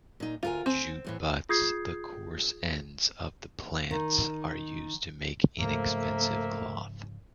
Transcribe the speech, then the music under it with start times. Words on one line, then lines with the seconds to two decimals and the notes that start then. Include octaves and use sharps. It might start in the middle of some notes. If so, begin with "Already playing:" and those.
Jute butts, the coarse ends of the plants, are used to make inexpensive cloth.
0.20 A#2 D#4
0.43 D2 F4 A#4 G#5
0.66 C4 G#5
1.04 E2 A2 E3
1.49 F4 G#4 D#6 G6 G#6 C7
3.91 D#3
5.60 G#2 C#3 F3 A3 A#3 A#4 C5 E5